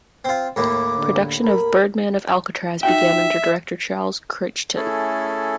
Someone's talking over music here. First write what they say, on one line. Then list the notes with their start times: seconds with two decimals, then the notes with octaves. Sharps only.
Production of "Birdman of Alcatraz" began under director Charles Crichton.
0.25 C4 F4
0.56 D#2 A2 D6
0.97 D3
1.42 A#4 B5
2.83 D#4 F#4 E5 G5
4.76 A3 C#4 E4 G#4 A4